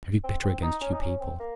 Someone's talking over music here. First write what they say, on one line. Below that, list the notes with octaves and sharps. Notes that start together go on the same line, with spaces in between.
He's very bitter against you people.
C4
C4
D#4
C#4
D#4
C#4
C4
A#3